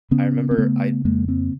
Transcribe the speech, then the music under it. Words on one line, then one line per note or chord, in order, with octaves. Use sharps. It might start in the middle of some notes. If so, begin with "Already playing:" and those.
I remember I
C#3 B3 C#4
C4
C#3 A3 B3
F2 G#3 A#3
A#3 C4